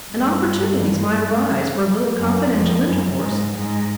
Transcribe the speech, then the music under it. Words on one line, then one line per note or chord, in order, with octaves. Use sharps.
And opportunities might arise for a little confidential intercourse.
G2
F#2
F2
F#2
G#2
G#2